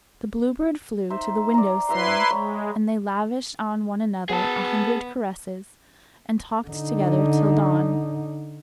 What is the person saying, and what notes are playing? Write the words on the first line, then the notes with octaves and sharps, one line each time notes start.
The Blue Bird flew to the window-sill, and they lavished on one another a hundred caresses, and talked together till dawn.
D#4 C5 E5
D5 A#5
E4 B4 C5 E5 A#5 C6
G#3 C#5 G5 B5
B3 G#4 A5
D3 D#4